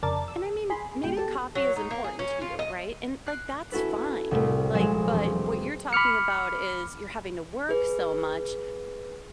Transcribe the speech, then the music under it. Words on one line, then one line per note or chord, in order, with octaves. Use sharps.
and I mean, maybe coffee is important to you, right, and, like, that's fine, like, but what you're talking about is you're having to work so much,
F2 C#3 A#4 D5 A5 A6
E6
G#4 B5 C6
G2 B2 G#3 G5
G4 A4 A5
F#3
D#4
A#3
G#4
C#4
F4
D#5
F#6 C7 D7
C#4 E4 F#4 A4 B4
C2 A2 A3
A#1 F#3 G#3 G#4 C6 E7
E1 C4
B5 D6 F6 C#7
G#4 B4